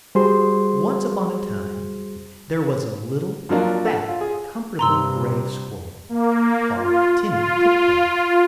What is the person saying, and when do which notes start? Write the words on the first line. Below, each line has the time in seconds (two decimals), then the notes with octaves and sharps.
Once upon a time there was a little fat comfortable grey squirrel, called Timmy Tiptoes.
0.15 G3 F#4 G#4 C5 C6
3.49 F3 F#3 A#3 D4 F4
3.85 A4 F#5
4.08 F4
4.21 G#4
4.79 G2 C3 A#5 C6 E6
6.09 A#3
6.74 F4
7.28 F4